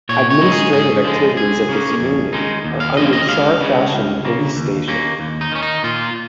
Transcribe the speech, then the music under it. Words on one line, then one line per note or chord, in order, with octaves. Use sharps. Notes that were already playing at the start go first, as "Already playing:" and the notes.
Administrative activities of this union are under Char Fashion Police Station.
A#2 C#5
C#5
G#3 D#4
G#4
G#2 G#4
F3 G#3
C#2 G#4
C#3 A#3 C#4
F2
D#3 G#3 D#4
D#2
F5
C#3 F3 A#3 D#5
D#5
C#2 F5
C#3 G#3
C#2
C#3 A#3
D#2
D#3 A#3 C#4
D#2
D#4
D#3 C#4
D#4
A#2 F4